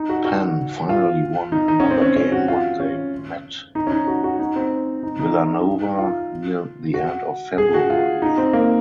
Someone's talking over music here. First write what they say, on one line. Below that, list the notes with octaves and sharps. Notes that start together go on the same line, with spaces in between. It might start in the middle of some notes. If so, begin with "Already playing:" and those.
Penn finally won another game when they met Villanova near the end of February.
Already playing: D#4
F#4
F#4
F4
D#4
D#4
C#4
C4
C#4
C#4
F#4
F4
C#4
D#4
C#4
D#4
F#4
F#4
D#4
C4
D#4
D#4
F4
F#4
G#4
F#4
F4
D#4
C4
A#3